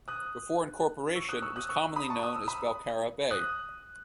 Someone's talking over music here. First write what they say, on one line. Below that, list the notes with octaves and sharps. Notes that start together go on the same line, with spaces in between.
Before incorporation it was commonly known as Belcarra Bay.
D#6 F#6
C#6 E6
D#6 F#6
C#6 E6
D#6 F#6
C#6 E6
B5 D#6
A5 C#6
D#6
E6
B5 D#6
D#6 F#6